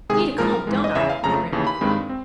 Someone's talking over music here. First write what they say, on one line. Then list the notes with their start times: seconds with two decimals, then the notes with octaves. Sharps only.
"Need a comb, don't I?" he grinned.
0.09 C3 D#3 G#3 G#4
0.38 A#2 F3 G#3 A#4
0.67 G#2 E3 G#3
0.84 D#5
0.95 E2 C#3 E3 E5
1.09 F5
1.24 F2 C#3 F3 A3 A#5
1.52 D#2 C#3 E3
1.67 B5
1.81 G2 D#3 G#3 C4
2.09 C4